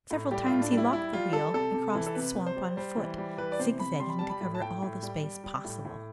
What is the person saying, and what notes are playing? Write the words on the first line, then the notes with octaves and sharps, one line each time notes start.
Several times he locked the wheel and crossed the swamp on foot, zigzagging to cover all the space possible.
A2
G3 G4
A2 F4
D4
G3
E4
G3 E4
G3 F4
G3 A4
C3 A4
C3
E3
A4
C3 B4
C3
C5
G3
G3 C5
E3
G3
E3 B4
D5
C3 C5
C3 B5
G3 C6
B5
G3 A5
B5
A2
A5
A2 G5
A2
G3
G3
G3
A2
A2